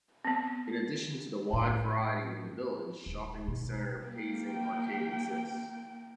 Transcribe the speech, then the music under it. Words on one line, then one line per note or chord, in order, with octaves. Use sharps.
In addition to the wide variety in the village shopping center Pasing Arcade exists.
B3 C4
A2
D#1
B2
A#3 G5